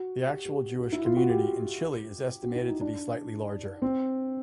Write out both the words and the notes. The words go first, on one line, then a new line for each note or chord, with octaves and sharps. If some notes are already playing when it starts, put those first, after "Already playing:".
The actual Jewish community in Chile is estimated to be slightly larger.
Already playing: F#4
G4
G4
F#4
E4
F4
F#4
G4
F#4
E4
D#4
D4
C4